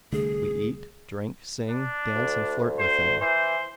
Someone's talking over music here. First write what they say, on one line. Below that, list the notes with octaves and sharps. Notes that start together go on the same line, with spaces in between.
We eat, drink, sing, dance, and flirt with them.
C2 D3 A3 G#4
D4
D2
C5
E3 C5